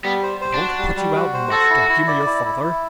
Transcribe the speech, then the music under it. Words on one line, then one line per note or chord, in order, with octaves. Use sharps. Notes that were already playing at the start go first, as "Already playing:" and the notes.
It won't put you out much to humor your father!
G3 B3
C5
C5
D4
F#4
G3
G3
F#4
C5
F#4 A4
E4
E4
D5
E4
E4
E4